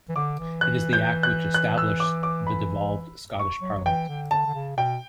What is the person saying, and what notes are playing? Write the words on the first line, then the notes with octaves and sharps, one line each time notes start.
It is the Act which established the devolved Scottish Parliament.
E3
D3 D6
E3
E3 F#6
G6
F#6
F#6
E6
D6
D6
B5
C#6
F#3
F#3
E3 G5
D3
D3 A5
D3
C#3
B2 G5